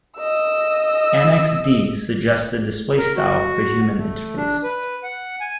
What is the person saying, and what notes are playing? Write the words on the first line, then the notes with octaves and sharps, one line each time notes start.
Annex D suggests a display style for human interface.
D#5 E6
A#4
F#4
A3
D4
B4
F#5
G#5